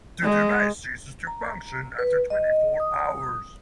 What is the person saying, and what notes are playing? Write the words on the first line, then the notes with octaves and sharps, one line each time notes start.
The device ceases to function after twenty-four hours.
G#3
A#5
B4
D#5
D#6